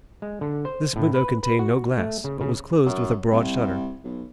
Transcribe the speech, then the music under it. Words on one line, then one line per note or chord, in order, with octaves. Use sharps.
This window contained no glass, but was closed with a broad shutter.
G#3
D3
C5
A2
B4
B4
F#4
A3
C#3
C#3
F#2
C2
B1